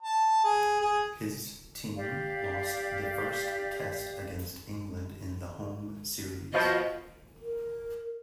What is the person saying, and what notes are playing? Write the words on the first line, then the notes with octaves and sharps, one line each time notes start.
His team lost the first test against England in the home series.
A5
G#4
G#4
G4 D5 F5
B2 F3 D#5
A#4